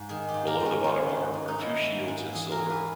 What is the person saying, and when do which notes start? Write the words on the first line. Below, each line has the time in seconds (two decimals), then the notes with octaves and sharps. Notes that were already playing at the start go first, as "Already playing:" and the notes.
Below the bottom arm are two shields in silver.
Already playing: G#2
0.09 D#3 G#4
0.28 G4
0.34 G#2
0.47 A#4
0.60 G#2
0.65 C#4
0.84 D#3 D#4
1.09 G#2
1.34 G#2
1.48 D#4
1.58 D#3 E4
1.83 G#2
2.08 G#2
2.32 E2 G#4
2.51 A#4
2.58 E2
2.70 B4